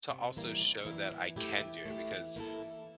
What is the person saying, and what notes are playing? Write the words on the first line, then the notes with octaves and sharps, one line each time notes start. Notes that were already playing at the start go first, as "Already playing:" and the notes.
To also show that I can do it, because
C3
E3 G3 A#3 E4
C3
E3 G3 A#3 E4
E3
A3 E4 G4
E3
A3 E4 G4
E3
A#3 E4 A4
E3